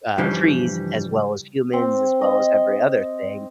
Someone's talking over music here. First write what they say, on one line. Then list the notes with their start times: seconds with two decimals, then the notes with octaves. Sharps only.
uh, trees as well as humans, as well as every other thing.
0.18 G2 C#3 E3 F3 G3
1.73 C4
2.21 D#5